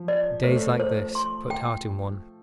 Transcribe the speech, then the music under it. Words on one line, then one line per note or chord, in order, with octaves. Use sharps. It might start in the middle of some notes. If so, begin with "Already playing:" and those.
Days like this put heart in one.
Already playing: F3
D5
A3 C5
C5
C6
G5